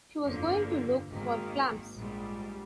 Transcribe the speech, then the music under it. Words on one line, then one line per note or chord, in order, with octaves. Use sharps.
She was going to look for clams.
G1 F2 D3 F3 A#3
G#1 G#2 D#3 A#3
A#1 G#2 G3